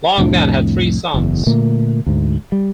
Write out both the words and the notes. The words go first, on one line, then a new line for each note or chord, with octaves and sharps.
Longman had three sons.
C2 F2 A2 D4
F#1 E2
A#2 D3 A3 A#3
D2 G#2
G3